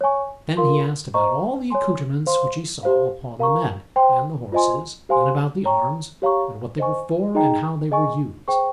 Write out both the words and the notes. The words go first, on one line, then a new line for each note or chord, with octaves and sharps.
Then he asked about all the accoutrements which he saw upon the men and the horses, and about the arms, and what they were for, and how they were used.
C#5 G#5 C#6
F4 A#4 F5 C6
C5 D#5 A#5 C#6
C#5 G#5 C6
C5 F5 C6
G4 C5 F5
A#4 F5 A#5 C#6
C5 G5 C6
F4 C5 D#5 G#5 C6
G4 C5 F5 G#5 C6
C#5 G5 A#5 C#6
G4 C#5 F5 A#5 C#6
C5 D#5 G#5 C#6
D#4 G#4 D#5 G5 A#5
G#4 D#5 G#5 C#6
G#4 C5 G5 C#6